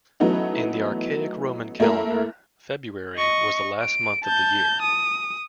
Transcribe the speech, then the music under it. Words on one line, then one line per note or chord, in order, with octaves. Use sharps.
In the archaic Roman calendar, February was the last month of the year.
E3 F#3 A3 B3 C#4 D#4
A3 A#3 E4 A#4
D#5 C#6
D7
A5 G6
D#6